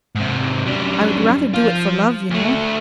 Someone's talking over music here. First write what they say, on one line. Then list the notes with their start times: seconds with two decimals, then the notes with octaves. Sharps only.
"I would rather do it for love, you know."
0.15 G#2 C3
0.65 F#2 G3
1.53 F3 F4
2.30 D2 A3